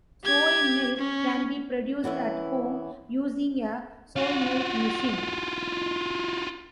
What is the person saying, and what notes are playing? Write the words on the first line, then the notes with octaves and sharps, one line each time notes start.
Soy milk can be produced at home using a soy milk machine.
G4 G#6
C#4
E3 B3 C#4 E4
F4 F#4